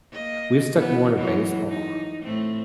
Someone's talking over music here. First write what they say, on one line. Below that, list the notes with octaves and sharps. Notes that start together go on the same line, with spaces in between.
we stuck more to baseball;
A#3 D#5
B3 E4
E3 F#3 G#3
D#4
A2 A3 C4